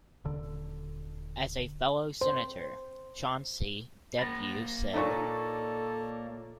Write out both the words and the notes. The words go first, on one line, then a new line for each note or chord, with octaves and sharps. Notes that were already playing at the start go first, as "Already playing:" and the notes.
Also a fellow Senator, Chauncey Depew, said.
D#1 D3
C5
A#3 B5 A6 A#6
A#2 D#4 A4 C#5 D5 C#6